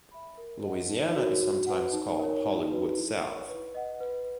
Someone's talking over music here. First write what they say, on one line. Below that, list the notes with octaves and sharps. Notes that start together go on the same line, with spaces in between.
Louisiana is sometimes called "Hollywood South".
E5 B5
A#4
D#5 F#5
D#4
F#4 A#4 C#5
F#4
B4 F#5
D#4
A#4 C#5
D#4
F#4 B4
E4
A#4 C#5 F#5 C#6
B4
D#5 F#5
B4